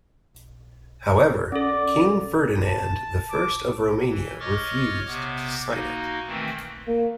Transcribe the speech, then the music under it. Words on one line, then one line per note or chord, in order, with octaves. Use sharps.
However, King Ferdinand the First of Romania refused to sign it.
C#4 A4 D5
A5
D6
E3
C#5 D#5 C#6 D6 F6 A6
C3 B3 D6
A#3 D#4 F#4
D#3 E3 A3 C4
A#3